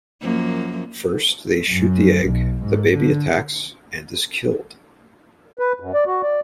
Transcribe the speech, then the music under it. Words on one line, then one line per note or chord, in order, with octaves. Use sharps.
First, they shoot the egg, the baby attacks and is killed.
F#2 F3 A#3
F#2
B1
G#2
D3
B4
F#2
D5
F#4
D5